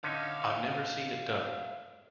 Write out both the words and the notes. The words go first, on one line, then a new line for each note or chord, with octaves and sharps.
I've never seen it done.
D3 C#4 D#4 E5 F5